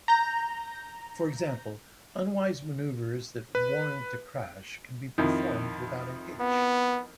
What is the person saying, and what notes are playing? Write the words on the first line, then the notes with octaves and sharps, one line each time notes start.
For example, unwise maneuvres that warrant a crash can be performed without a hitch.
A#5 G6 A#6
B4
F2 D#3 E4
B3